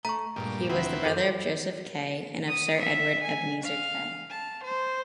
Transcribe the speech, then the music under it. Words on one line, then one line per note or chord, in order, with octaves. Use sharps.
He was the brother of Joseph Kay and of Sir Edward Ebenezer Kay.
A3 A#5 C#6
G2 A#2 G3 G#3
D2 C4 E4 B4
F#2 A4 G6
D#6
E5
G#5
F5
A5
C5